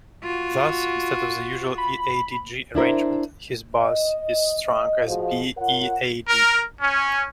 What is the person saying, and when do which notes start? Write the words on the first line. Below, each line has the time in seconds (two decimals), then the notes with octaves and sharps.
Thus, instead of the usual E-A-D-G arrangement, his bass is strung as B-E-A-D.
0.23 F4 F#4
1.78 B5
2.75 D4 E4 A#4 C5
3.75 D#5
5.06 F3 F#4 G#4 C5 D#5 F5
5.57 F4 A#4 C#5 F#5
6.28 A#4
6.81 C#4